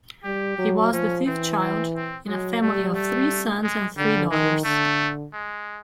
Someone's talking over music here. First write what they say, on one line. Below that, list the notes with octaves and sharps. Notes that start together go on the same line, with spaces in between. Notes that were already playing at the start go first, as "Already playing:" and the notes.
He was the fifth child, in a family of three sons and three daughters.
G3 G4
F#3
F3 C#4
E3 C4
C4
C4
F#3 G#3
G3 A3
A3
G#3
D3 G3
D#3 G#3
D3 A3
G#3